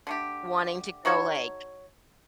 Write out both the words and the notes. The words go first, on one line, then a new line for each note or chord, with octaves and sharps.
wanting to go like
D3 A3 G4
D#4 F#4 A4 C#5